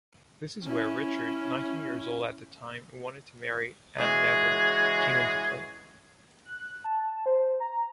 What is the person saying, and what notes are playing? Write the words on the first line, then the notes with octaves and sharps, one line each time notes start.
This is where Richard, nineteen years old at the time, who wanted to marry Anne Neville, came into play.
C#4 E4
C#3 E3 G#3 F#4 G#4
F#6
A5
C5
A#5